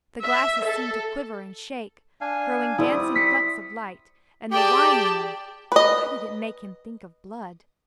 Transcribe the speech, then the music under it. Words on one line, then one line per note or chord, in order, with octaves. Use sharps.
The glasses seemed to quiver and shake, throwing dancing flecks of light; and the wine in them--why did it make him think of blood?
E5
A4
D4 F5 G#5
G3 C4 E4 D5 D#6
B6 C#7
G4 G#4 D5 G5 A5
B4 D#5